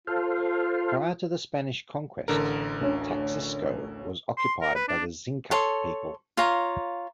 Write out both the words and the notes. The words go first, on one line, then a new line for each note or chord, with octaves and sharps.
Prior to the Spanish Conquest, Taxisco was occupied by the Xinca people.
F4 A4 C5 F5
A1 D3 A#4
D2 C#4
C6
A#4
B4
D4
A4 C#5 C6
F4 C#5 F5 A#5